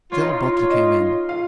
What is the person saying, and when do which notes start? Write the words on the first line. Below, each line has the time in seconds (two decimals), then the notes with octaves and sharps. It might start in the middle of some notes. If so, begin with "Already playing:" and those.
The old butler came in.
0.12 F4 C#5
0.21 D#4
0.30 F4
0.63 C#5
0.70 D#4 D#5
1.29 F4 F5